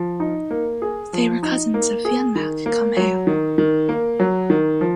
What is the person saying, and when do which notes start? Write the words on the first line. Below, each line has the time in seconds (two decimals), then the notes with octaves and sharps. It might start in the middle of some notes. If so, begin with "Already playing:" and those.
They were cousins of Fionn mac Cumhaill.
Already playing: F3
0.20 D#4
0.51 A#3
0.82 G#4
1.13 F3
1.43 D#4
1.74 A#3
2.05 G#4
2.35 D#3
2.66 A#3
2.97 F#3
3.27 D#3
3.58 D#3
3.89 A#3
4.20 F#3
4.50 D#3
4.81 F3